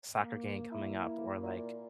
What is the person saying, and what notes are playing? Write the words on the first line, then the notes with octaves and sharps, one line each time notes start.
soccer game coming up?" Or, like,
A#3
E4
A#2